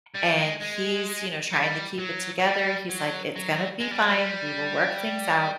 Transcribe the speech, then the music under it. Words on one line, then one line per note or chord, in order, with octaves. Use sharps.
and he's, you know, trying to keep it together. He's like, "It's gonna be fine. We will work things out."
G3
G#3
G#3
G3
F#3
F#3
G3
F#3
F#3
G#3
G3
F#3
G3